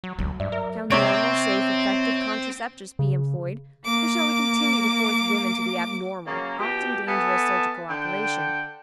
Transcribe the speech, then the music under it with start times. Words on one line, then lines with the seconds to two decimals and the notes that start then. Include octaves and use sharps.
Shall normal, safe, effective contraceptives be employed, or shall we continue to force women to the abnormal, often dangerous surgical operation?
0.04 F#3
0.19 D2 F#3
0.40 G2 D5 E5
0.52 A#4
0.90 C3 C4 C#5 D7
2.99 C#3
3.84 A#3 D6
6.27 C#3 F#3 A#3
6.59 B2 F4 G4
7.07 B3 A4 E5 G#5 A5
7.90 D3 G5